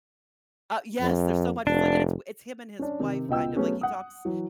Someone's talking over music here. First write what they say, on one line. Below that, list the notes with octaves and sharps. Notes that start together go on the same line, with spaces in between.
uh, yes there's so much it's like, and it's w it's him and his wife kind of like, he talks,
F2
F1 D4
C#4 D4
C3 D#3
C#2 B2 D#5 G5 E6
F#3 A3 B3 C#4 G#4
F#5 D#6
E3 F#3